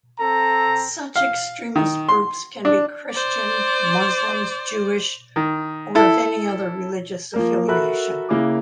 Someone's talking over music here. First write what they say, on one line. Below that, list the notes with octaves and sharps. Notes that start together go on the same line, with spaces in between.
Such extremist groups can be Christian, Muslims, Jewish, or of any other religious affiliation.
C4 A4 A#5
F5
D#3
C6
D4
C5 D5
D#3
E4 A4
F3 A#3 A#4
F#4 A4 A#4 E5 B5 F#6
C#3 A#3 E4 A#4 G#5 D6